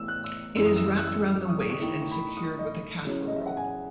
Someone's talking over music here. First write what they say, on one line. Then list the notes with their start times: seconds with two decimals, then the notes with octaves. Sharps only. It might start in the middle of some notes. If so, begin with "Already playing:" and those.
It is wrapped around the waist and secured with a kafa rope.
Already playing: A2 E3 B3 E6
0.08 F#6
0.24 E6
0.55 F#2 E3 G#3 E6
0.66 D#6
0.76 E6
0.86 E6
0.97 F#6
1.07 E6
1.45 C#6
1.49 D#6
1.59 D#6
1.70 C#6
1.80 D#3 A3 E4
2.01 C#6
2.11 B5
2.37 D#6
2.43 C#6
2.59 D#5
3.05 C#3 F#3 C#4 E4
3.28 D#5
3.36 E5
3.46 F#5
3.57 G#5
3.67 G#5